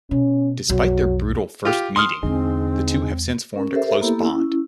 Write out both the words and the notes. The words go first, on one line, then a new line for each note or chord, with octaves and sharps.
Despite their brutal first meeting, the two have since formed a close bond.
B2 C#4
B1 F2 F#3
F4 G4
C6 D#6 F6
E2 D3 G#3 C4 D#4 G#4
C#4 A#4
G4 A4 A#4 C5 E5
A#3 B3 E4 G4 A4
C#4 E4